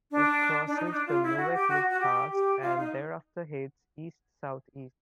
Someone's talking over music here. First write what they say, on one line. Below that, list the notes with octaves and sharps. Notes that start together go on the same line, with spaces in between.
It crosses the Nuwekloof Pass and thereafter heads east-south-east.
D4
D4
D#4
D#4
D4
F4
E4
F#4
G4
F#4
F#4
G4
G4
F4
D#4